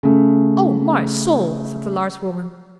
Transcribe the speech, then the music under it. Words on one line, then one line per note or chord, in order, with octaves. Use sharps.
"O my soul!" said the large woman.
C#3 A3